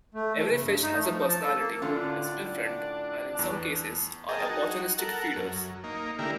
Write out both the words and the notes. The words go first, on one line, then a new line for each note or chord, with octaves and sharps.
Every fish has a personality, is different, and, in some cases, are opportunistic feeders.
A3
E3
C#3
G2
D#4
A3
F3
A5
A4
A#3
A2 D3 C#4 D4 F4 A4
E2 A5
G#4 A#4 D#5 G5 A5
D#4 F#4
A4 A#4 F#5
F#2
A#3 D#4
D3 A3 A#3 E4 G4 A#4